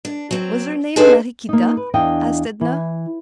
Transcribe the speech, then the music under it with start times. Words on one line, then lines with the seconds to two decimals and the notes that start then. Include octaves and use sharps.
"Was her name Mariequita?" asked Edna.
0.05 D4
0.31 F#3 C4
0.96 D4 D#4 G#4 A4 B4 C5
1.49 A#3 D#4
1.77 B4
1.94 E2 D4 D#5 F5 G5
2.61 E3